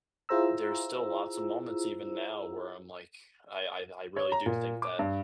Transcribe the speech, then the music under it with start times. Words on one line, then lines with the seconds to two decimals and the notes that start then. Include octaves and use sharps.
there's still lots of moments even now where I'm like, I I d I really do think that
0.29 E4 F4 G#4 C5 A#5 E6
4.17 C#5
4.32 A#5
4.46 A#2
4.82 D6
4.99 G2